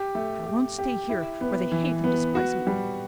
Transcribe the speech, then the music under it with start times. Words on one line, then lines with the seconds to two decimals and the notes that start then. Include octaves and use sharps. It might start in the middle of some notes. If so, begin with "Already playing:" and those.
I won't stay here, where they hate and despise me!
Already playing: G4
0.15 A3
0.46 G4
0.79 G4
1.09 E4
1.41 B3
1.72 E3
2.04 B3
2.35 F#4
2.67 G3